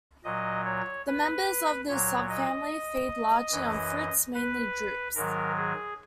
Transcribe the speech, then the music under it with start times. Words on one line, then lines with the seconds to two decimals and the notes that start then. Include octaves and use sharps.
The members of this subfamily feed largely on fruits, mainly drupes.
0.24 A#2 F#3 D#5
0.65 C#5
1.07 B4
1.88 A#2 F#3 C#5
2.29 D#5
3.52 F#2 E3
4.34 B4
5.15 G#2 D#3 F#3 A#4
5.57 G#4